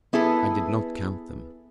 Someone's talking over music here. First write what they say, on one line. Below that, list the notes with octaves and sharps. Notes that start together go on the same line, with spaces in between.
I did not count them.
B3 E4 G#4 A4 B4